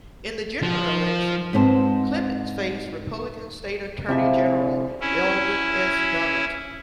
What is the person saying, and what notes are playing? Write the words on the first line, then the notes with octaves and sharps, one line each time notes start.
In the general election, Clements faced Republican state attorney general Eldon S. Dummit.
F3
G#2 B3 C4 C5 A5
C3 F3 G#3 E4 E5
C#4 E4